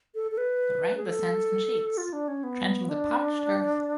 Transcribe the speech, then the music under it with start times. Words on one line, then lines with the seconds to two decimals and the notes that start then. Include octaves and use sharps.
The rain descends in sheets, drenching the parched earth.
0.15 A4
0.31 A4
0.38 B4
0.97 G#4
1.06 A4
1.98 F4
2.13 D4
2.28 C#4
2.43 B3
2.89 D4